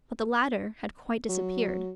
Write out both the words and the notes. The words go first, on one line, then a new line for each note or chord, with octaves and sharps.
But the ladder had quite disappeared.
F#3